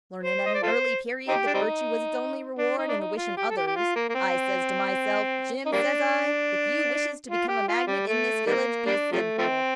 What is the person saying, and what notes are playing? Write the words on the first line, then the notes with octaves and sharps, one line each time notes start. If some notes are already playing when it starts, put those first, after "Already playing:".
Learnin' at an early period that virtue was its only reward, an' a-wish-in' others, I says to myself: 'Jim,' says I, 'if you wishes to become a magnet in this village, be sinful.
C5
D#5
D5
F4 A4 C5
C4 D#4 G4
D4
G3 C4 D#4
D4
D#4
D4
D#4
F4
G4
A4
G4
G4
F4
A#3
A#3
C4
D#4
G3 A#3 D4
F4
G4
F4
G3
A3
D#3 G3 A#3
G3 A#3 D4
C3 F3 A3
F3 A3 C4